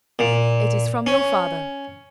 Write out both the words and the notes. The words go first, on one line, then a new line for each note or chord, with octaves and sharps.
"It is from your father."
A#2
C#4